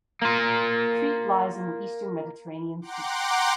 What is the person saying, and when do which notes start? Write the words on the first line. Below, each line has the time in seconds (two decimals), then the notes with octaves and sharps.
Crete lies in the eastern Mediterranean Sea.
0.22 A#3 F4
2.82 F#5 G5 A#5 C6 D6